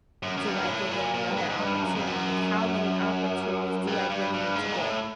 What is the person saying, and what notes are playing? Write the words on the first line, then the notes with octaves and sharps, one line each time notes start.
do I give them another opportunity? Like, how many opportunities do I really need to give,
F#2
F#2
G2
A#2
A2
A#2
A#2
G2
G#2
G#2
G2
F#2
F2
F#2
G2
G2
G2
G#2
A#2
A2